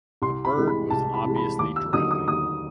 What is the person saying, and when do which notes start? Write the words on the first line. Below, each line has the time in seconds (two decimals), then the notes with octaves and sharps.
The bird was obviously drowning.
0.22 C2 C6
0.45 B5
0.56 C3 E3 G#3
0.67 B5
0.90 C2 A5
1.14 B5
1.25 C3 E3 G#3
1.36 B5
1.59 D#2 D6
1.76 E6
1.93 D3 F#3 A#3 D#4 D#6
2.11 D#6
2.27 D#2 D#6